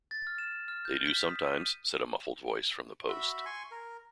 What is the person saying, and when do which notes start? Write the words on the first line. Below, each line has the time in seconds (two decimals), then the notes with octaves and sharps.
"They do sometimes," said a muffled voice from the post.
0.11 A6
0.27 F6
0.38 E7
0.68 F6
0.85 G6
1.07 B6
1.28 D#6
1.46 D#7
3.09 F#4 E5 B5
3.45 G#5 C6 C#6
3.71 A#4